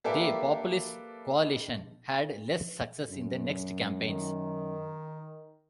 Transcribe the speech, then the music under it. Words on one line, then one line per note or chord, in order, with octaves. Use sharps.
They Populist coalition had less success in the next campaigns.
A#3 G4 A4 B4 D5 E5
F#2
D#3